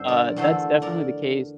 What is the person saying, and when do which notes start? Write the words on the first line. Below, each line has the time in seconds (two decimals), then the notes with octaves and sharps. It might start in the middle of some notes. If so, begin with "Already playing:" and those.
uh, that's definitely the case
Already playing: G2 D3 G3 D4 C5 E5
0.08 A#4 D5
0.36 E2 D3 A3 A4 C5
0.82 A#4 D5